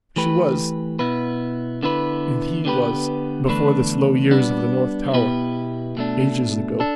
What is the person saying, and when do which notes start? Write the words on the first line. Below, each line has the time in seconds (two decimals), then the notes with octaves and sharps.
She was--and He was--before the slow years of the North Tower--ages ago.
0.16 E3 A3 G4 B4
0.99 B2 B3 E4 B4
1.83 D3 B3 E4 B4
2.65 D3 B3 G4 B4
3.48 E2 D3 A3 D4 B4
4.31 G3 B3 D4
5.14 B2 B3 E4 G4 B4
5.97 B2 A3 D4
6.80 D4 A4